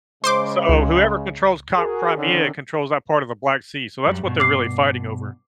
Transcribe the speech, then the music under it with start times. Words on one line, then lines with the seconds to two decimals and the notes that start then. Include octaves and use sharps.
So whoever controls Cri Crimea controls that part of the Black Sea. So that's what they're really fighting over.
0.24 C#3 G#3 C5 C6 D6
0.69 C#2
1.77 F#4 G#4 A#4
2.17 D3 D#3 C#4
4.06 F#2 G3
4.24 G2 B2
4.40 D6 C7